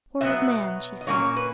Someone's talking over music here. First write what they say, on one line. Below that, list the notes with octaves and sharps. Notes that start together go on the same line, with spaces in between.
"Poor old man!" she said.
B2 F#3 B3 E5
D#5
A#2 A#3 C#4 C#5
B4